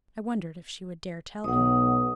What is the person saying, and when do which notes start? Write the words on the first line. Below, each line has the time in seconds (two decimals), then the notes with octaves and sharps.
I wondered if she would dare tell him.
1.44 B1 F#5 D#6